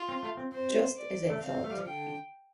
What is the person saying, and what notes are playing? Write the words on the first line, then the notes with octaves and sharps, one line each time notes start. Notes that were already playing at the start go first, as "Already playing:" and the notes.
Just as I thought.
Already playing: F4
C4
A3
C4
C4 C5
D5
A3
C4 F5
A3
G3
F3
D3 G5